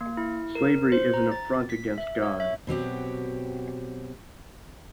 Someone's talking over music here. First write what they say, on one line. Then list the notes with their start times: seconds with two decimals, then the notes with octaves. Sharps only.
Slavery is an affront against God.
0.01 A#3
0.17 E4
0.55 A#4
0.92 C5
1.14 A#5
1.32 A6
1.70 B6
1.98 E5
2.22 C#5
2.40 E5
2.67 B2 F#3 C4 G4